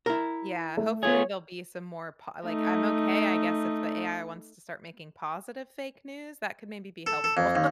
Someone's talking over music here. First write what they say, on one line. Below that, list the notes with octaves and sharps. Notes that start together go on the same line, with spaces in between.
Yeah, hopefully, there'll be some more po like, I'm okay, I guess if the AI wants to start making positive fake news, that could maybe be helpful.
E4 A#4
A3
B3 F4 G#4 C#5
A3 D#4
A4
A4
F2
D#2